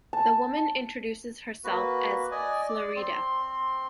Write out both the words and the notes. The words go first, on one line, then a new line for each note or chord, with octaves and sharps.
The woman introduces herself as Flerida.
A5
A#3 F#4 B4
D5 D#5 G#5
D5
C4 C6